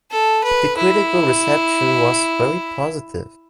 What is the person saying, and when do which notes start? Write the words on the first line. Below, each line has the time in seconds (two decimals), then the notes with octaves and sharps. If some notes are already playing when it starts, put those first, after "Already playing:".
The critical reception was very positive.
0.11 A4
0.43 B4
0.78 E4